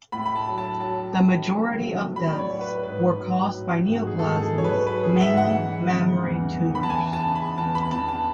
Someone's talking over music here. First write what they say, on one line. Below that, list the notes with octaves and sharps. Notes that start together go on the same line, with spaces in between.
The majority of deaths were caused by neoplasms, mainly mammary tumors.
A2 B5
B5
A5
F#3
A5
F#3 A5
A2
A2
F#3
F#3 B5
D5
C#5
A2
B4
G#2 B4
F#3
F#3
G#2
F#4
G#4
G#2 A4
A4
G#4
F#3 C#5
B4
F#3 B4
G#4
F#5
G#2 E5
F#5
E3
C#3
E2
E2
B5
A5
E3 G#5
A5
C#3
B5
E2 A5
B5
E2 A5
A5